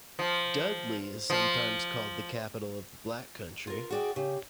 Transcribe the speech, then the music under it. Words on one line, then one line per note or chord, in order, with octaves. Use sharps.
Dudley is sometimes called the capital of the Black Country.
F3
F3
F4 A#4
F#4 G#4 D5 G5
C#3 G4